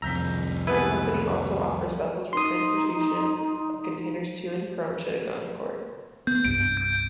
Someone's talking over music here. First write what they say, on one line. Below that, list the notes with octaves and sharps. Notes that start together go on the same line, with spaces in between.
The company also offers vessels for transportation of containers to and from Chittagong Port.
C2 F2 A#5 E6 G6 B6
F#1 C3 B3 E4 B4 G#5
D#4 C6 D#6
B3 G6
C2 G2 D7
G6